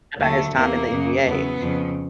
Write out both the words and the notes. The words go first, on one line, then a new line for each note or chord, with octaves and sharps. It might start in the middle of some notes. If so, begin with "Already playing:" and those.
about his time in the NBA,
D#2 D3 F#3 A3
E2 C3 E3 A#3
F#2 C#3 F#3
E2 C#3 F#3 B3
F2 C#3 F3